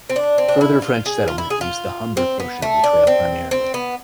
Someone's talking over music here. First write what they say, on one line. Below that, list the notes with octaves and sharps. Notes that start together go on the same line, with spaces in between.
Further French settlement used the Humber portion of the trail primarily.
C4
D4
C4
D4
E4
F4
G#4
F4
E4
G#4
F4
C4
B3
A3
D4
C4
C4
B3